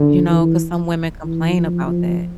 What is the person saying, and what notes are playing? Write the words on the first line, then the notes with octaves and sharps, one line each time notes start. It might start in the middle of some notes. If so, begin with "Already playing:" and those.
You know, 'cause some women complain about that.
Already playing: D3
E3
E3
F3
F3